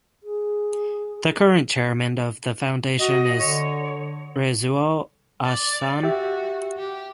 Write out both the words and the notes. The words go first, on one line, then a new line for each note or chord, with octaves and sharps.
The current chairman of the foundation is Rezaul Ahsan.
G#4
F#4 D#5
D3 C#5
D5
F#4 G4 E5
G4